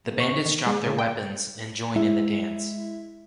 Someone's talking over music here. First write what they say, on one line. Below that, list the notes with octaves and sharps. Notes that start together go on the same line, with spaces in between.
The bandits drop their weapons and join in the dance.
C#6
D#3
G#3
C#3
G5
G#3 E4 E5